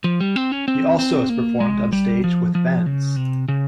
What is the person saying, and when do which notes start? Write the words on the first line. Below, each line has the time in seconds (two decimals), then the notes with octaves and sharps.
He also has performed on stage with bands.
0.04 F3
0.20 G3
0.36 C4
0.52 C#4
0.68 C4
0.99 C4
1.29 A#3
1.60 G#3
1.93 G3
2.24 F3
2.55 F3
2.86 C#3
3.16 C3
3.48 C#3